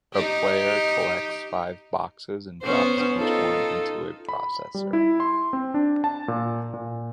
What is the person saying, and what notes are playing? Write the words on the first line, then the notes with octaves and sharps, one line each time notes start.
The player collects five boxes and drops each one into a processor.
D#4 G4
B3 C#4 C5
D#4 F4 A4
B5
G3
E4
C6
C4
D4
A5
A#2
A#2